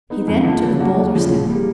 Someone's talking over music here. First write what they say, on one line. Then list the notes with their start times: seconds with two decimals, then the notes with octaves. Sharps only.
He then took a bolder step.
0.10 B3 D#4
0.28 F2
0.44 D3 F3 A#3
0.63 C#3
0.80 F#3 A#3 D4 F#4
0.98 D#2
1.15 C#3 F3 G#3
1.33 A#2
1.50 G3 A#3